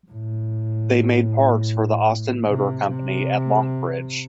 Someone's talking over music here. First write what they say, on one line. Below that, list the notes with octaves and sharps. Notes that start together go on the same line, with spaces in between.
They made parts for the Austin Motor Company at Longbridge.
A2
C3
C3